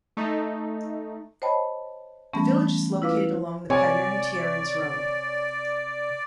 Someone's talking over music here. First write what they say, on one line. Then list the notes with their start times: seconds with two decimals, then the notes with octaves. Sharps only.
The village is located along the Payerne-Thierrens road.
0.17 A3 D#4
1.42 C5 C#5 D#5 G5 A5 B5
2.33 E3 G3 A3 B3 C#4
3.02 E4 F4 B4 F5 D6
3.70 C3 C#5 D5 G#5